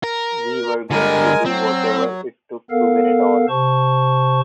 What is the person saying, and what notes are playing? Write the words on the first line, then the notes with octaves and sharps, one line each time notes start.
We were going to do whatever it took to win it all.
A#4
D3 G3 G#3 A#4 G#5
F#3 C4
B3 A4 A#4 F5
C3 C5 A5 C#6